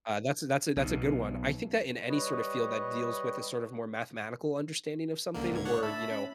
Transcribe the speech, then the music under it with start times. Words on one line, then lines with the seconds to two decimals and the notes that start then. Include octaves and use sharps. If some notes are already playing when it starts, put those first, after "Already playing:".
Uh, that's a that's a that's a good one, I think that in any sort of field that deals with a sort of more mathematical understanding of something, or, you know,
0.76 B1 B2
2.09 G3 B4 C#5 D#5
5.34 C#2 D3 A#3
5.52 G#2 G#6
5.65 D4 C#5 F#5
5.83 E5 A5 B5
6.11 C#4